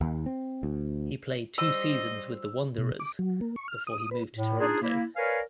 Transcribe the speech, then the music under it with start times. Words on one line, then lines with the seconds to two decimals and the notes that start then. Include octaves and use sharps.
He played two seasons with the Wanderers before he moved to Toronto.
0.01 D#2
0.26 C4
0.63 D2
1.58 G3 C5 D#5 E6
2.78 B2
3.00 D6
3.19 F#3
3.41 A#3
3.56 C#6
3.68 F6
3.87 D#6
4.11 B4
4.35 A2
4.60 D4 D#4 F4 G#4
4.82 A#3 E4
5.16 A#4 B4 C#5 D5 F5 G#5